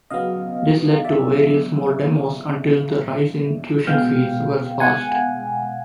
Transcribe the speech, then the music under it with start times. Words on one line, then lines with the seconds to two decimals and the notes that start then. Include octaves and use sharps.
This led to various more demos until the rise in tuition fees was passed.
0.10 C#3 F#3 B3 D#5 F5
1.04 D5 E5
3.87 B2 G#3 B3 F5 G5
4.80 F#5 G#5